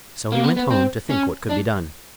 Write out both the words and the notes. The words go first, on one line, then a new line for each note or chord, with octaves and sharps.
So he went home to think what could be done.
A#3
B3
B3
C4
C#4
D4